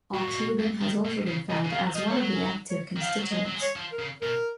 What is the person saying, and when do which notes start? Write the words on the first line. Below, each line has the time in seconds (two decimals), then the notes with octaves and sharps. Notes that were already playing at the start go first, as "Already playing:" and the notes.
Aucubin has also been found as one the active constituents.
0.13 A#2 F#4
0.28 A#2
0.36 B2
0.59 F2
0.81 D#3
1.05 B2
1.27 C#3
1.49 C#3 D#5
1.64 C#3
1.72 D#3 F5
1.95 F3 D#5
2.08 F3 C#5
2.17 F#3 B4
2.35 C#4
2.41 D#4
2.70 C#5
2.96 D#3
3.02 F5
3.08 F3
3.20 F#3
3.32 G#3 D#5
3.45 F#3
3.55 G#3
3.62 C#5
3.76 F3
3.92 A#4
3.99 C#3
4.22 B2 A#4